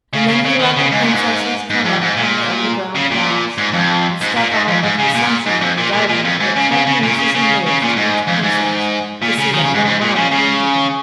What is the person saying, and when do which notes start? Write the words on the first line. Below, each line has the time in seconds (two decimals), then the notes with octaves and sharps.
And then he let the princesses come up from their underground palace, and step out into the sunshine in the garden, with ten nurses and maids to each princess to see that no harm came to her.
0.13 C#3
0.28 C#3
0.45 C#3
0.59 D#3
0.76 C#3
0.92 G#2
1.01 A#2
1.13 G#2
1.70 G#2
1.85 F2
2.01 G#2
2.16 A#2
2.95 C#3
3.11 A#2
3.58 G#2
3.73 F2
4.21 G#2
4.36 A#2
4.51 G#2
4.68 F2
4.83 G#2
4.99 C#3
5.15 A#2
5.46 G#2
5.61 F2
5.78 A#2
5.93 A#2
6.09 A#2
6.24 F2
6.40 G#2
6.56 C#3
6.72 C#3
6.87 C#3
7.03 A#2
7.18 C#3
7.35 C#3
7.66 C#3
7.82 A#2
7.96 G#2
8.28 F2
8.43 G#2
9.22 A#2
9.38 C#3
9.53 D#3
9.64 C#3
9.74 G#2
9.85 G#2
10.01 A#2
10.16 C#3
10.32 C#3